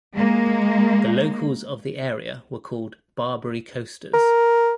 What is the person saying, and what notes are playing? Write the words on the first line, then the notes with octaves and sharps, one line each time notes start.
The locals of the area were called "Barbary Coasters".
G#3 A#3
A#4